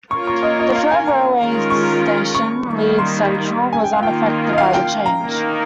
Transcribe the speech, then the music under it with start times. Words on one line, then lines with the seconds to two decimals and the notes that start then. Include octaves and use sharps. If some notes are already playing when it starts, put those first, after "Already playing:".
The third railway station, Leeds Central, was unaffected by the change.
0.11 A#3 F4 A#4 C#5 C#6
0.27 C#6
0.43 D#5
0.59 D#5
0.75 F5
0.91 G#5
1.07 A#5
1.39 D#3 G#3 C#4 F4 A#4
1.70 C#6
2.35 C#6
2.66 D#3 G3 A#3 D#4
2.99 C6
3.73 G#5
3.84 G5
3.93 D#3 A#3 F4 F5
4.03 G5
4.53 D#5
4.58 F5
4.74 G5
5.06 A#5
5.21 D#3 A#3 D#4 A#4